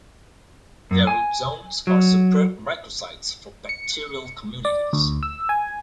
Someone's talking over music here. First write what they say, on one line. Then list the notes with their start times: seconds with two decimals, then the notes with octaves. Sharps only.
Their root zones are superb micro-sites for bacterial communities.
0.91 F#2
1.07 G#5
1.87 F#3
3.69 C#7
4.65 D5
4.93 D2
5.23 E6
5.49 G#5